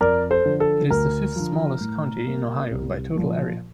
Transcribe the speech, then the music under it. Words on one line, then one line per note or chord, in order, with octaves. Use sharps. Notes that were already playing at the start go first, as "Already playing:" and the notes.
It is the fifth-smallest county in Ohio by total area.
F2 A#4 D5
A4 C5
D3 F3
A4
D2 A#4
D3 F3
A2
G3 A#3
C2
A#2 F3 A#3